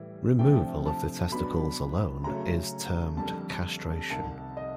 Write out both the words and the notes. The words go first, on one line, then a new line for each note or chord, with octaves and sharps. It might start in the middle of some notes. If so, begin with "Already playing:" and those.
Removal of the testicles alone is termed castration.
Already playing: A2 E3 G3
C3 F3 A3 D4 G5
A5
B2 F#3 B3 D4 B5
C#3 F#3 A3 C#4 A#5
F2 D3 G3 A#3 A5
C2 C3 D#3 A5
D#5